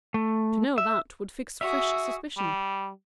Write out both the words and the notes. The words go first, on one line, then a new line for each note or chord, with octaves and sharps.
To know that would fix fresh suspicion.
A3
E5
F#4 G#4 E5
G3